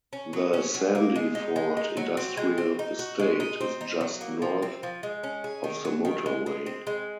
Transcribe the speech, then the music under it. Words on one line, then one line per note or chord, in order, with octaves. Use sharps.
The "Sandyford Industrial Estate" is just north of the motorway.
C#4
F#3
C#4
F#3
A#3
G#3
D#4
G#3
D#4
F#3
C4
G#3
C4
D#4
F#4
G#3
D#4
C4
D#4
F#3
A#3
F3
C4
F3
G#3
C#4
G#4
D#3
F#3
D#3
G#3
G#3
C4
G#3